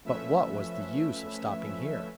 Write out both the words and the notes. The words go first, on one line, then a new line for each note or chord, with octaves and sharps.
But what was the use of stopping here?
F3 A3 C#4 B4 E5